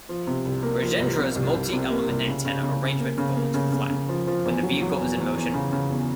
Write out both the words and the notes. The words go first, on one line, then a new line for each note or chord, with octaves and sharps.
Rajendra's multi-element antenna arrangement folds flat when the vehicle is in motion.
F3
C3
C2
A#3
F3
C2
C3
C2
C2
C3
A#3
C2
C#3
C#3
C#3
C#3
A#3
C#3
A#3
C#3
C#3
C#3
F3
F3
E2
F#3
F#3
E2
E2
E2
C#3
C#3
E2